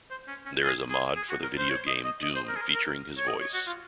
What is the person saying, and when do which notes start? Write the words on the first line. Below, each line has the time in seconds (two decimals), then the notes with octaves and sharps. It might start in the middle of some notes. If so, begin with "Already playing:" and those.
There is a mod for the video game "Doom" featuring his voice.
0.11 C5
0.28 C#4
0.46 C#4
0.64 G#4
0.90 G#4
1.16 G#4
1.30 F#4
1.43 A#4
1.58 C5
1.69 C#5
1.87 D#5
2.05 D#5
2.22 D#5
2.35 C5
2.48 A#4
2.56 G#4
2.62 A#4
2.74 A#4
3.18 C#5
3.28 D#5
3.41 C#5
3.54 F#4
3.67 F4